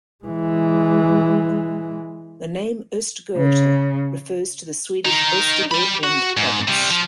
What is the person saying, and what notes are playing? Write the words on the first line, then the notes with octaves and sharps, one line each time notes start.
The name Östgöta refers to the Swedish Östergötland province.
E3 G#3
C#3
D#4 A#4
G4 B5
F#4
G#2
C3 G3
F3